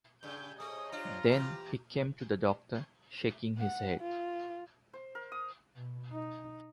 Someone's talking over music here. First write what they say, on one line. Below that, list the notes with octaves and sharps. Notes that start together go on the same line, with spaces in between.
Then he came to the Doctor, shaking his head.
G2 C#3 G#5 G6
A3 G#4 C5 C#5 D#5 D#6
D4 F4 G4 A#5
E3 G4
F#5
F4
C5
A#4
D#6
B2
D#4